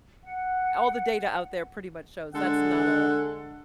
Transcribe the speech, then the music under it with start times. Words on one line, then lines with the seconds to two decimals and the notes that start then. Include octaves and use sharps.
all the data out there pretty much shows, that's not a
0.24 F#5
2.34 D3 G#3 A4 F#5